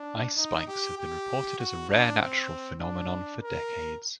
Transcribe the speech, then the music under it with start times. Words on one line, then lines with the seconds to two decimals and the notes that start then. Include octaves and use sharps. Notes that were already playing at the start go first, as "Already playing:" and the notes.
Ice spikes have been reported as a rare natural phenomenon for decades.
Already playing: D4
0.36 D#4
0.67 G4
0.98 G4
1.59 F#4
1.90 D4
2.20 C4
2.81 D4
3.42 A#4